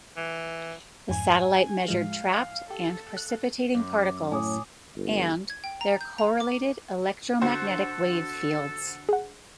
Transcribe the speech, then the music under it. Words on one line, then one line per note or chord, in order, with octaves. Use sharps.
The satellite measured trapped and precipitating particles and their correlated electromagnetic wave fields.
E3
F2 G#2 G#5
A2 F3 G#3 F5
G4 A4
F#6
F#2 D6
A2 A3 C#5 G#5 D6 D#6
G1
G#6
G5
A#5
G6
A#5
D6
D3 F#4 A4 C5
G#4 F#5